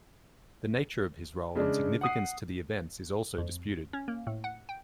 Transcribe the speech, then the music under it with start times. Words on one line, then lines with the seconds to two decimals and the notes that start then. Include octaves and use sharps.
The nature of his role and significance to the events is also disputed.
1.55 C#3 G#3 D4
2.01 F#5 D#6 C7
3.38 F2
3.93 C#4
4.08 A#3
4.27 A2
4.44 F#5
4.69 G5